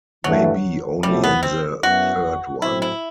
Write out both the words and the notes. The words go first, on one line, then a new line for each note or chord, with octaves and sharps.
Maybe only in the third one.
G2 E3 F#3 A3
C2 B2 F#3 G3 A3 E4
B3
C4
F#2 F#3 B3 E4 F#4
A2 F#3 C4 E4
E4